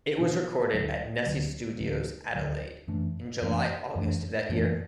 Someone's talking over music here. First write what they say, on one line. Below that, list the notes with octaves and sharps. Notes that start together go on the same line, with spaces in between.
It was recorded at Nesci Studios, Adelaide, in July-August of that year.
B2 B3 D4
D2 D3 F#3
D2 D3 F#3
D2 D3 F#3
D2 D3 F#3
F#2 E3 A3 D4
F#2 E3 A3 D4
F#2 E3 A3 D4
F#2 E3 A3 D4